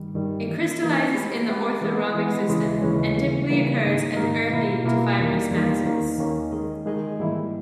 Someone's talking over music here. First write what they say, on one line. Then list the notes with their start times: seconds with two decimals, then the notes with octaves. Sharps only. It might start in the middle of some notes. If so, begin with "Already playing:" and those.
It crystallizes in the orthorhombic system and typically occurs as earthy to fibrous masses.
Already playing: G2 D#3 G3
0.14 G2 D#3 G3
0.47 E3 A#3 D#4
0.80 E3 A#3 D#4
1.14 G#3 B3 G4 B4
1.48 G#3 B3 G4 B4
1.81 E3 G#3 B3
2.15 E3 G#3 B3
2.48 D#2 C#3 E3 G#3 C#4
2.82 D#2 C#3 E3 G#3 C#4
3.16 C#3 E3 G3 A#3 D#4
3.50 C#3 E3 G3 A#3 D#4
3.83 G#2 D#3 A#3 D#4 A#4
4.17 G#2 D#3 A#3 D#4 A#4
4.50 B2 A#3 E4 A#4
4.84 B2 A#3 E4 A#4
5.18 E2 D#3 G3 A#3
5.51 E2 D#3 G3 A#3
5.85 D#2 D#3 A#3 C#4
6.19 D#2 D#3 A#3 C#4
6.52 D#3 G#3 D#4 G#4 D#5
6.86 D#3 G#3 D#4 G#4 D#5
7.19 G#2 E3 G3 A#3 E4